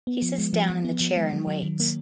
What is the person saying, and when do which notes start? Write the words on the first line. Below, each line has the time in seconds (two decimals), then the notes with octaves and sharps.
He sits down in the chair and waits.
0.07 B3
0.22 F3
0.38 G#3
0.53 F3
0.70 F3
0.85 B3
1.01 F3
1.16 G#3
1.32 F#3
1.47 F#3
1.63 D#3
1.80 A#3